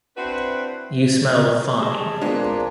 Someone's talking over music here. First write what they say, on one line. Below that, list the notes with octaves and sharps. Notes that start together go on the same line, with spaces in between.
You smell fine.
C4 D4 E4 F#4 B4 C5
G3 G#4 A4 D#5 A5
A#2 G#3 B3 C4 D4